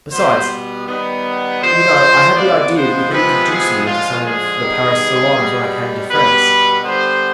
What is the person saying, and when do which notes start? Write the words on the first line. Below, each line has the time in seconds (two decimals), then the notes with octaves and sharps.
Besides, you know, I had the idea that you could introduce me into some of the Paris salons when I came to France.
0.12 B2 G3 B3 C5
0.87 D#3 G3 B3
1.61 D3 F3 G#3 C5
2.36 C3 F3 G#3 B3 D5
2.74 C5
3.10 C3 F3 G#3 B3 B4
3.47 G#4
3.85 D3 F3 G#3 F4
4.23 G#4
4.59 D#3 G3 B3
5.34 B2 G3 B3
6.09 B2 G3 B3 B4
6.83 D3 G3 B3 C5